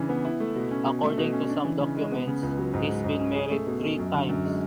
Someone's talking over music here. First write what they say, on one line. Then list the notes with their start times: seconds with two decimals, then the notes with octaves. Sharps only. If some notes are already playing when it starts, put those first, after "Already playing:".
According to some documents, he's been married three times.
Already playing: C#3 E3 D4
0.09 B3
0.25 E4
0.40 A3
0.56 B2
0.71 C#4
0.86 B2
1.03 A3
1.18 B2
1.33 C#4
1.49 D4
1.65 E3
1.80 C#3
1.96 G#3
2.12 B3
2.27 C#3
2.43 C#2
2.58 F#3
2.74 G#2
2.89 G#3
3.04 G#2
3.20 C#4
3.35 G#4
3.51 A3
3.67 B2
3.83 C#4
3.98 F#2
4.14 D3
4.29 F#2
4.45 G#3